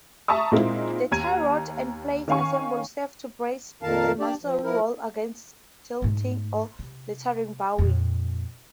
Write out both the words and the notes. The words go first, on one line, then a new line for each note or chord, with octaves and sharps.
The tie-rod-and-plate assembly serves to brace the masonry wall against tilting or lateral bowing.
E5 A5 A#5 C#6 D#6
A#2 G#3 A#3 C4 D#4 E4
D#2 A#5 G#6 D#7
D#3 C#4 F5 G#5 C#6
F2 A#2 D#3 A#4 F5 A5
D4 G4 D5
F3
F3 E4 A#4
G#2 A3
C3
F2 A#2